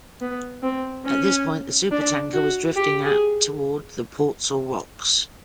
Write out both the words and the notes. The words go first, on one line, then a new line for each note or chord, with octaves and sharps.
At this point the supertanker was drifting at toward the Portsall Rocks.
B3
C4
C#4
D4
F#4
G4
G#4